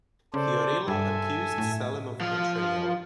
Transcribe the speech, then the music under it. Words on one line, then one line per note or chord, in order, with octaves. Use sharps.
Fiorilla accuses Selim of betrayal.
C#3 A4 C5 D5
G2 A4 E5 G#5
A2
F3 F5